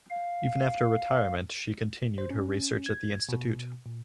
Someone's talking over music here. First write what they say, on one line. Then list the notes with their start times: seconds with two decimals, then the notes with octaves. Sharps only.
Even after retirement she continued her research at the Institute.
0.10 F5
2.18 C5
2.30 C#4
2.86 G#6
3.29 B2
3.86 A#2